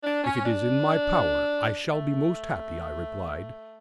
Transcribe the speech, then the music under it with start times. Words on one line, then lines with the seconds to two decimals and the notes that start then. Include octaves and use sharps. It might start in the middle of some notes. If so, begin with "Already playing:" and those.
"If it is in my power, I shall be most happy," I replied.
0.04 D4
0.24 C#4
0.45 D4
1.89 A3